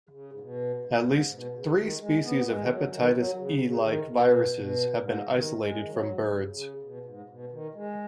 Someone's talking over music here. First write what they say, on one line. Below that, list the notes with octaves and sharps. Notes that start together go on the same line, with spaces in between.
At least three species of hepatitis E-like viruses have been isolated from birds.
C#3
G#2
B2
G#2
B2
G#2
B2
C#3
D#3
G#3
B3
G#3
D#3
F#3
D#3
F#3
C#3
C#3
D#3
B2
B2
G#2
D#3
G#3
D#3
F#3
C#3
C#3
B2
G#2
B2
D#3
G#3